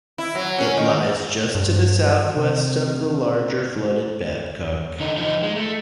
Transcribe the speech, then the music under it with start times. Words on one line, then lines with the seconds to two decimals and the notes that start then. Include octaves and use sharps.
It lies just to the southwest of the larger, flooded Babcock.
0.18 E4
0.35 F#3
0.58 C#4
0.77 D#3
1.55 G2
2.37 C3
5.00 D3 D#4
5.17 F3 D#4
5.43 G#3
5.56 A3